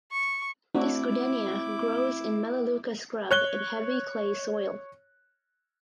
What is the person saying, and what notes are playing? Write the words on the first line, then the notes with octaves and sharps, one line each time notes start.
This goodenia grows in "Melaleuca" scrub in heavy clay soil.
C#6
A3 C4 D4 E4 F#4 D6
C#5 F#6 G7